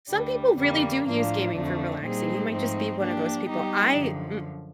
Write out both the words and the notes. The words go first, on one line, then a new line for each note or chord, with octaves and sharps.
Some people really do use gaming for relaxing, you might just be one of those people. I mm
D2 D3 G3
F2 D3 G3 A#3
A2 F3 A#3 D4 F4
F2 D3 F3 A3 D4
A#2 G3 C4 D#4 G#4
G#2 F3 A3 C4 D#4
F3 A#3 D4 G4
G3 B3 D#4 G4
F#2 D3 F3